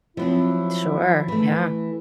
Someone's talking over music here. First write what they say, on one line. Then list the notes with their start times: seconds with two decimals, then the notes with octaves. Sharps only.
Sure, yeah.
0.17 F3 F#3 C4 E4
1.28 E3 A3